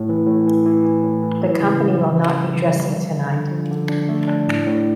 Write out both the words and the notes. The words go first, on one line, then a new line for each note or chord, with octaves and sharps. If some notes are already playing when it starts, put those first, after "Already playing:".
The company will not be dressing tonight.
Already playing: A2
E3
A2
E3
E3
E3
A2
E3
E3
C#3
E3
E3
C#3
G3
E3
G3
F3
D3
D3
F3
D3
D4
A3
D4
A2
A2